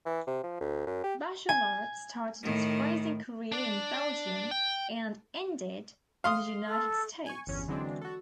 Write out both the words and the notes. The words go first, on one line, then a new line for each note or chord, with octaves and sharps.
Bachelart started his racing career in Belgium and ended in the United States.
E3
C3
F3
D2
F#2
G4
G#5
A2 D#3
D4 D5
G5
F5 C6 D#6
A4
G#5 C#6
G1 E2 C#4
D3 E3 F#3 G#3 C4 D4
F#4 A4